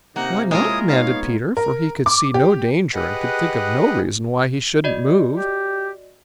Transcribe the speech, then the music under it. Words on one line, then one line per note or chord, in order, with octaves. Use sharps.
"Why not?" demanded Peter, for he could see no danger and could think of no reason why he shouldn't move.
C3 D#3 A#3 C#4 D#4 F#5
G#3 E4 F4 A#4 C#5 D#6
B3 D#4 C#5 F5
A#4
D6
G4
G4 G#4 B4 D#5 F#5
F#4 D5 D#5
G4